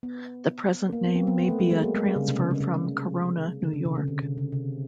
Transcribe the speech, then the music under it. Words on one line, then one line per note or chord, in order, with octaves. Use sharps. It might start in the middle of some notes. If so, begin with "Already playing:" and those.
The present name may be a transfer from Corona, New York.
B3
A#3
B3
C4
B3
B3
A3
F#3
G#3
A#3
G#3
G3
C#3
C3
C#3
C#3
C#3
D3
C#3
C3
C#3
D3
C3
C#3
C3